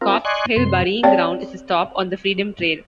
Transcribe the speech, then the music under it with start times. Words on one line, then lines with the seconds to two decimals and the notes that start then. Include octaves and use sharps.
Copp's Hill Burying Ground is a stop on the Freedom Trail.
0.01 C4 F4 A#4
0.25 D5 D#5 G#5 C6 C#6 F#6
0.56 F#2 C3 C6
1.03 C4 G4 C#5 D5 F5 G5